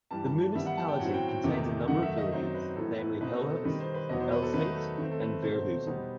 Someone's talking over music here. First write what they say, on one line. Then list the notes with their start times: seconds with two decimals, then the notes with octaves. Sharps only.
The municipality contains a number of villages, namely Hulshorst, Elspeet, and Vierhouten.
0.11 G2 E3 G3 A5
0.26 A5
0.40 A5
0.55 D#3 G3 B3 E5
0.66 F#5
0.77 A5
0.88 G5
0.99 A2 F#3 C4 F#5
1.14 G5
1.28 G5
1.43 E2 C3 D#3 A3 D#4
1.88 F#2 D#3 A3 D#4 F#5
2.02 E5
2.18 D#5
2.32 F#2 F#3 C4 D#4 C5
2.55 B4
2.76 A2 E3 B3 D#4 A4
2.99 B4
3.21 B2 A3 C4 D#4 B4
3.36 A4
3.50 A4
3.65 D#3 G3 D#4 B4
3.80 C5
3.94 B4
4.09 E2 B2 F#3 B3 D#5
4.20 C5
4.32 B4
4.42 A4
4.54 D#3 F#3 A3 D#4 B4
4.76 A4
4.98 D#3 A3 C4
5.11 A4
5.20 B4
5.42 B2 F#3 A3 C4 D#4 C5
5.87 B2 G3 B3 D#4